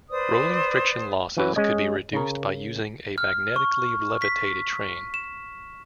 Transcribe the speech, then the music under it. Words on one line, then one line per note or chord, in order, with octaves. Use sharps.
Rolling friction losses could be reduced by using a magnetically levitated train.
B4 C5 D5 D#6
E3 F#3 C#4 F#4 B4 C#5
G#3 C#4 D#5
C#3 A#4
F6
C#6
B6
E7